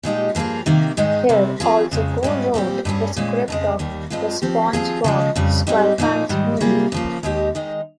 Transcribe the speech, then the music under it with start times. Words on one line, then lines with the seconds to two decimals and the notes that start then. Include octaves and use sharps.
Hill also co-wrote the script of "The SpongeBob SquarePants Movie".
0.03 A#2 F3 G#3 D#4 G4
0.35 G2 F3 A#3 F4 G#4
0.66 C3 D#3 A#3
0.97 G#2 D#3 G#3 D#4
1.29 C3 G3 C4
1.60 F3 C4 F4 G#4
1.91 F2 C#3 G#3
2.23 G#2 G3 C#4 F4
2.54 A#2 G3 C4 G4
2.85 G2 G3 C#4 G#4
3.16 A#2 G#3 C#4
3.48 F2 C#3 G#3
3.79 D#2 D#3 G3
4.10 G2 F3 G#3 C4 F4
4.42 F3 C4 G4
4.73 F3 C4 F4 G#4
5.04 C#3 F3 G#3
5.36 F2 C#3 G3
5.67 G#2 G3 C4 D#4 G4
5.98 A#2 F3 A#3 D#4
6.29 G#2 D#3 G3
6.61 C3 G3 A#3 F4 G#4
6.92 C#3 F3 A#3
7.23 D#2 D#3 G#3 D#4 G4
7.55 D#3 G#3 D#4